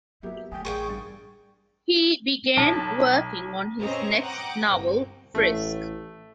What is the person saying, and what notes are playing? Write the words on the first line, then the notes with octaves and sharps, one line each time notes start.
He began working on his next novel, "Frisk".
F#3 B3 G4 A#4 E5
D3 A3 G5 G#5 D#6
A1 G#4 A#4 D5 F5 G5 G#5 C#6
G2 A6
B1 A5
C4 C#4 B4 C5 D#5 A#5
F#5 G5 A#5 D6 D#6
G1 C2
A1 A3